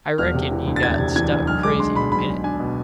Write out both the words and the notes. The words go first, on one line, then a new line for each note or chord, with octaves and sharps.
I reckon he got struck crazy a minute.
E1 F6
C3
E3
D2
A6
E1 G#6
C3
E3 G#6
D2
B1 F6
G#3 D6
D4 C6
B2 B5
B1 B5
G#3
D4 G#5
B2